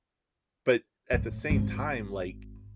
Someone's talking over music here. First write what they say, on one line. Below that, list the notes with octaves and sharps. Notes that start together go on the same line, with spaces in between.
But at the same time, like,
A2
G#1